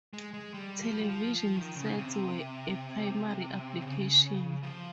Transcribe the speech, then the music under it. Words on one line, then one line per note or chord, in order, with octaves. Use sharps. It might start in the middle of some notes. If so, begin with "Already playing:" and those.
Television sets were a primary application.
G#3
G#3
G3
F3
G3
F3
F3
D#3
C#3
C3
C#3
F3